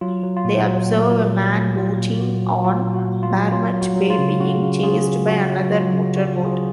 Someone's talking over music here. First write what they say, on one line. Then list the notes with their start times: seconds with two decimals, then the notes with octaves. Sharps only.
They observe a man boating on Barmet Bay being chased by another motorboat.
0.01 F#3 F4
0.23 F#3
0.36 F4
0.45 A#2 F#4
0.67 F#3
0.89 A#2
1.11 A#2
1.33 F#3
1.55 F#3
1.77 A#2 F4
1.99 A#2
2.20 F#3 F#4
2.42 F#3
2.64 F#3 F4
2.86 A#2
2.94 F#4
3.08 A#2
3.23 F4
3.30 F#3
3.52 F#3 F4
3.74 F#3
3.81 F#4
3.96 F#3
4.10 F4
4.18 C#3
4.40 C#3 F#4
4.62 C#3
4.83 C#3 F4 G#4
5.06 C#3
5.28 F#3 F#4
5.49 F#3
5.72 F#3 F4
5.93 C#3
6.16 C#3 F#4
6.38 C#3
6.44 F4 G#4